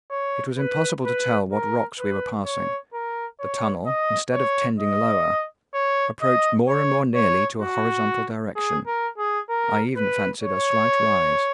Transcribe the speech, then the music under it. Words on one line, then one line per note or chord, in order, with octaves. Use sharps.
It was impossible to tell what rocks we were passing: the tunnel, instead of tending lower, approached more and more nearly to a horizontal direction, I even fancied a slight rise.
C#5
B4
B4
A#4
B4
C#5
A#4
C#5
D#5
C#5
D#5
C#5
D#5
C#5
C#5
F#4
G#4
A#4
G#4
A#4
B4
C#5